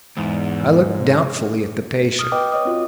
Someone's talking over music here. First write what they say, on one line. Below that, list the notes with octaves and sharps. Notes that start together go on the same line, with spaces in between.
I looked doubtfully at the patient.
E2 G#2
D#6 F6
B4 D#5 G5 D6
C#5 D#5 D#6
C4 F4 F#4